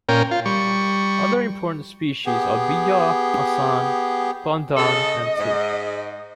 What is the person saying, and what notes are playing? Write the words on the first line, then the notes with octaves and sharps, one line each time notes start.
Other important species are bija, asan, bandhan and teak.
A#2 C#4 A#4 G5
F4
G3 C#6
B3 G4 G#4
C#3 A4 D#5
G#2